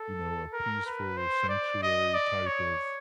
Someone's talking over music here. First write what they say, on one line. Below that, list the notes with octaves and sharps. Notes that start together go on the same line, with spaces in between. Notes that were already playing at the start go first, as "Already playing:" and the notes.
you know, a peaceful sanctuary type of,
Already playing: A4
A#4
B4
C5
D5
D#5
D5
C#5